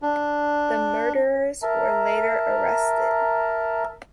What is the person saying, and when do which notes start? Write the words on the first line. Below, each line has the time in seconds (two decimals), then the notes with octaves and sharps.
The murderers were later arrested.
0.02 D4
1.63 A#4 E5 A5 A#5